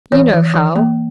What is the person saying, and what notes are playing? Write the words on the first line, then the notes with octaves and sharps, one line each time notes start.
You know how!'
E3 C#5
E3
E3
A#3